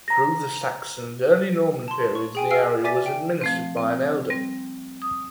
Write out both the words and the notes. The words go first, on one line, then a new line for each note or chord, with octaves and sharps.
Through the Saxon and early Norman periods the area was administered by an elder.
A#5 A#6
A5 C6
C#6
G#4 G5 G#5
F5 G#5 E6 F6 C7 D7
D5 E5 G#5 D6 A6 B6
G5
F3 A3 C4
C4
G3 C4
D#6